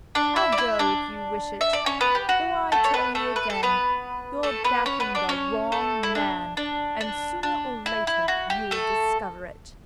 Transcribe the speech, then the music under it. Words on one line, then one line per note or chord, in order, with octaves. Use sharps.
I'll go if you wish it; though I tell you again, you're backing the wrong man, and soonah or latah you'll discover it.
D4 D5
E4 E5
D5
E4 E5
D4 D5
E5
D5
C#4 C#5
B3 B4
G4
F#4
A3 A4
C#5
B3 B4
A3 A4
B4
A4
B3 B4
A3 A4
B3 B4
C#4 C#5
B3 B4
D4 D5
C#4 C#5
A3 A4
E4
D4
D4
D4
D4
E4
E4
F#4
G4
A3 A4